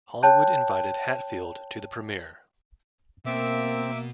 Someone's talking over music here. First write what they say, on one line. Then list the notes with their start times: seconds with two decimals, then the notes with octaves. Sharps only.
Hollywood invited Hatfield to the premiere.
0.23 C#5 G5 A5 F#6 G6
3.26 B2 A#3 C4 E5 D6